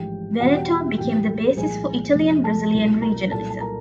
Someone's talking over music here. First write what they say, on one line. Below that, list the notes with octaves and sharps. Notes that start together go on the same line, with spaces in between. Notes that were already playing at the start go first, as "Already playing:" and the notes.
Veneto became the basis for Italian-Brazilian regionalism.
Already playing: A1 G#2 F3 G4 G5
E2 B2 G3 F#4 F#5
G4 G5
A1 A2 F#3 A3 G4 G5
C2 A#2 F3 G#3 G#4 G#5
F2 C3 F3 G#3
A4 A5
C2 B2 G3
A#4 A#5
C2 A#2 F#3 A4 A5
A5
A#4 A#5